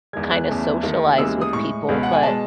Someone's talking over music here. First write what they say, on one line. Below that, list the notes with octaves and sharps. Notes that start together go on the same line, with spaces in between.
kind of socialize with people, but
E2 D#3 G#3 G#6
F#6
E2 C#3 E3 A3
D#2 D#3 A3
D#2 C#3 E3 G#3 E6
D#6
A2 G#3 C#6
C#2 B2 G#3
F#5
G#5
B2 G#3 A5